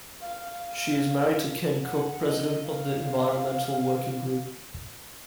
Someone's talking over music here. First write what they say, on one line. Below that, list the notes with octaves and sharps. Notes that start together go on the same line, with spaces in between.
She is married to Ken Cook, president of the Environmental Working Group.
F5
F5
F#5
D#5
F5